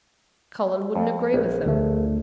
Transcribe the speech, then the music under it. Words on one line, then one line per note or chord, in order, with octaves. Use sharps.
'Colin wouldn't agree with them.
F2
A#1
D2 A3